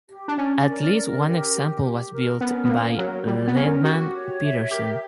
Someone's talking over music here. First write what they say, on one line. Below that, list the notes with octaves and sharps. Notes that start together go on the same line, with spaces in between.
At least one example was built, by Lehmann-Peterson.
G4
D4
C#4 D5
A#4
A#4
G4
G4
G4
A#4
B3 C#4
B3
A#3 A#4
F#3 A#4
G3 D5
B3
C#4 A#4
F#4 G4
C#5
E5
G4 A#4